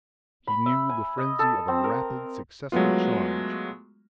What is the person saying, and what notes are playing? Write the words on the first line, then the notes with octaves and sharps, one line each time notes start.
He knew the frenzy of a rapid successful charge.
B5
E5
G#5
D#5
A4
C4
A#4
F#3 G#3 A3 B3 F4